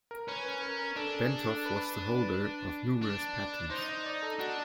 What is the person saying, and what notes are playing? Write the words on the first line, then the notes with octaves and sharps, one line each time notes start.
Bentov was the holder of numerous patents.
A#4
C#4 B4
B4
A#4
A#4
D4 A4
G#4
A4
B4
B4
D4
D#4 C5
D#5
D5
A4
D4 F#4